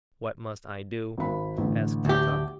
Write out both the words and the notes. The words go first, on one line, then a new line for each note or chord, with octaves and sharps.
"What must I do?" asked Tik-Tok.
G#1 B5
A1 D3
D2 G4